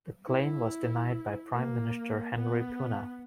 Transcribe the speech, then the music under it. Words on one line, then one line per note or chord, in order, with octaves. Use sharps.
The claim was denied by Prime Minister Henry Puna.
E4
A#3
B3